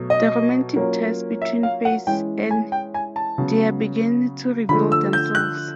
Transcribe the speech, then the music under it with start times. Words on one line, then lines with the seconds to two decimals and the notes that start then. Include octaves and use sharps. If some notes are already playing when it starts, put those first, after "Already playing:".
The romantic ties between Face and Dia begin to reveal themselves.
Already playing: B2 F#3 A3
0.10 D#5
0.76 F#3 A#3 C#4 F4
1.42 E5
1.63 F5
1.85 F#5
2.07 E3 G#3 C#4 E4 G5
2.51 G#5
2.72 G5
2.94 G#5
3.16 A5
3.38 C#3 F#3 B3
4.69 D3 F3 A3 B5
4.92 E6
5.13 G6
5.35 F#6